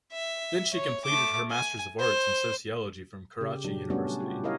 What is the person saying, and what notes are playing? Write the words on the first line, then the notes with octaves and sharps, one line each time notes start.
Then she completed her Masters of Arts in Sociology from Karachi University.
E5
C#5
A3 D6
G#5
C5
C#3 G4
A#2 F#3 D4 G4
G3 A3 B3 C#4 D4 F#4
F4 G4
E4 A#4 C#5 D#5 F5